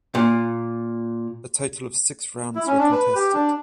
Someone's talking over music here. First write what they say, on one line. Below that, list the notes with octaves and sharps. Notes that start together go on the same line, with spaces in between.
A total of six rounds were contested.
A#2
E4
C#4
D4
B4
G4
D4